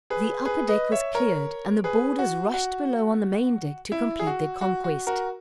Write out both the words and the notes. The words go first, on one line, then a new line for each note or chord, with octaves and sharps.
The upper deck was cleared, and the boarders rushed below on the main deck to complete their conquest.
G#4 B4
G#4 B4
B4 D#5
C#5 E5
A#4 C#5
G#4 B4
F#4
F#4
E4
G#4
F#4
F#4
F#4
F#4 A#4